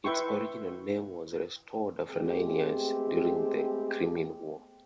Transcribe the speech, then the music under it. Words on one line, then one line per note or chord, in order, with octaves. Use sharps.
Its original name was restored after nine years, during the Crimean War.
E4 B4 E5 G5 C6 C#6
G#3 A3 B3 C4 G4 G#4